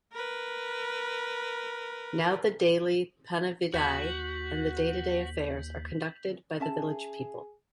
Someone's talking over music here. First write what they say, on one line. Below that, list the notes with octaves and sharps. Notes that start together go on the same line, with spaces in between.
Now the daily Panividai and the day-to-day affairs are conducted by the village people.
A#4 B4
D#2 F#4 G6 B6 F#7
C#4 G#4 E5 A5